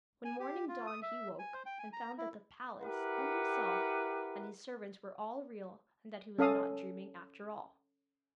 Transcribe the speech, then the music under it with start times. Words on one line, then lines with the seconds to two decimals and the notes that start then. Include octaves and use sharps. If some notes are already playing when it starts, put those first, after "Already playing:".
When morning dawned he woke, and found that the palace, and himself, and his servants were all real, and that he was not dreaming after all!
0.25 G#5
0.40 G4
0.68 F4
0.87 D#6
1.02 E5
1.39 G#5
1.54 C5
1.66 G5
1.79 G#5
1.93 A#5
2.18 E4
2.80 E4 G4 A#4 B4 F#5
6.38 C#4 A4 F5 D#6